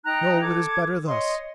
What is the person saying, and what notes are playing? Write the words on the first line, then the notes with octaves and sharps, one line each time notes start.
No, it is better thus.
D#4 G5 A#5 F#6
A4 D6 G#6
C#5 D#5 C6